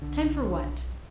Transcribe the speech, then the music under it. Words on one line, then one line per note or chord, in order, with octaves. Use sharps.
"Time for what?"
B1 D3